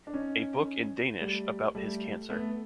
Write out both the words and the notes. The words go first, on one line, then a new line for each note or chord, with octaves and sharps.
A book in Danish about his cancer.
D4
C#4 D#4
G3 A3
G3 A3
A3 B3